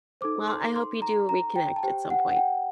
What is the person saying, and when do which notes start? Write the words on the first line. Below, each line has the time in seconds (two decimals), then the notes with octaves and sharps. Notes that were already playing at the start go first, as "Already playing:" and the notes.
Well, I hope you do reconnect at some point,
0.21 D#4 A4 C5 D6
0.48 C6
0.76 C6
1.02 A#5
1.29 A#5
1.56 G5
1.76 A5
1.83 G4 C5 G5
2.10 F#5
2.31 F#5
2.36 G5